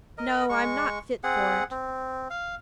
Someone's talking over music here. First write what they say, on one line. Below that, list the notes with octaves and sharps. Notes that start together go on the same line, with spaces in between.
No; I'm not fit for it.
A#4 D#5
G#3 C#6
C4 G#4 F#5
C4
F5